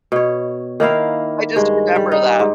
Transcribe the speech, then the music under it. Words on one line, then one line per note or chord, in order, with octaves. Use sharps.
I just remember that.
B2 C#5
D#3 A#3 E4 F5
G2 G#3
G3
D#4
G#2